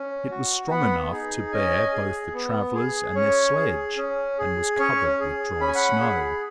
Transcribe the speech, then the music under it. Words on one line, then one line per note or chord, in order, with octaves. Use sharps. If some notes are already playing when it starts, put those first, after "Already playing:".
It was strong enough to bear both the travellers and their sledge, and was covered with dry snow.
Already playing: C#4
F#4
B3 F#5 B5
D#4 G#4
C#4 D#5 G#5
G#4
B3
G#4
C#4 C#5
G#4
C#4
G#4
C#4 C#5
G#4
C#4 B5
G#5
F#5 B5
G#4